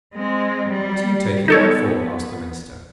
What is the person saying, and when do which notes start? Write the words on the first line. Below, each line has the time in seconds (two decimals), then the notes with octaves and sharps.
'What are you taking that for?' asked the minister.
0.14 G#3 C4
0.68 G3
1.48 B3 D#4 A4 C#5